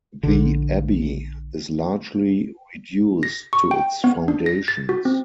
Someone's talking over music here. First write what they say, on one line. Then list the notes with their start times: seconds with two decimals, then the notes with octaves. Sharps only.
The abbey is largely reduced to its foundations.
0.23 A#1 D3
3.23 A#6
3.53 C#6
3.71 G5
4.04 B3
4.28 D4
4.46 A#6
4.68 A6
4.89 F#4
5.05 C4